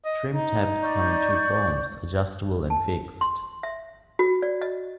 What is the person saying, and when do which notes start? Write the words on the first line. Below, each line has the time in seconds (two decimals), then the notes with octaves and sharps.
Trim tabs come in two forms, adjustable and fixed.
0.05 D#5
0.31 D#4
0.82 D5 C#6 G6
2.70 A5
3.21 C6
3.63 E5
4.19 F#4
4.42 D5
4.62 D#5